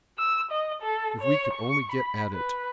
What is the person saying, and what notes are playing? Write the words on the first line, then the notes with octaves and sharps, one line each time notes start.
If we could only get at it!
E6
D#5
A4
C#5
C#6
B5
B4